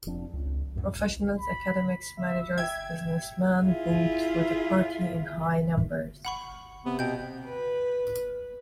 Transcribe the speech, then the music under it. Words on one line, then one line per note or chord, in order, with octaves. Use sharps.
Professionals, academics, managers, businessman vote for the party in high numbers.
F1 F3 C4 D4
C#2
C2 F#2 A2
C2
B5
E5
E5 G5 G#6
E4 F4 G#4 E5
F#5 B5 C#6
C3 B3
B2 G5 G6
B4